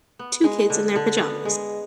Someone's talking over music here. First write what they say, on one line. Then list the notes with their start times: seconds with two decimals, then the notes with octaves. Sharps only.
Two kids in their pajamas.
0.19 B3
0.44 G#3
0.70 D3
0.96 D3
1.21 B3
1.45 G#3